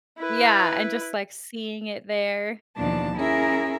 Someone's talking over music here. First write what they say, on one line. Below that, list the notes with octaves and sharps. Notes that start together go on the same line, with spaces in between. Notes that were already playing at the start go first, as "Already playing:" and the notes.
Yeah, and just like seeing it there.
E4 B4
D#2 B2 E3 F3 D4 A5
C#4 E4 G#4 A#4 E5 A#5